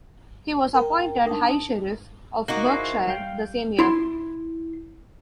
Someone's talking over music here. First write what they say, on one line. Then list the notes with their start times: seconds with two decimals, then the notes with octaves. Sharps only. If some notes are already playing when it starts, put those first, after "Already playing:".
He was appointed High Sheriff of Berkshire the same year.
0.74 A#4 G5
1.25 D4 D#4 A5
2.48 A#3 D#4 F#4
2.66 E4 G#4 C5
3.07 G3 F5 G5
3.79 E4 C6